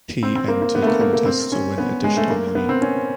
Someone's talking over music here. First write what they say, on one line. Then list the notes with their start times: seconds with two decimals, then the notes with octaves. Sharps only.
He entered contests to win additional money.
0.23 C4
0.36 C4
0.48 A#3
0.62 A#3
0.75 B3
0.82 A3
0.87 A#3
1.01 A#3
1.13 A#3
1.26 C4
1.52 C#4
1.78 B3
2.04 G#3
2.17 A3
2.30 A#3
2.55 B3
2.69 C4
2.82 C#4